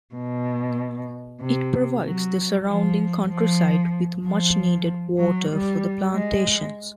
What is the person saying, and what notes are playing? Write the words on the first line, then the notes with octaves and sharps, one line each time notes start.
It provides the surrounding countryside with much needed water for the plantations.
B2
C3
F#3
F3
F3
F3
F#3
G3
G#3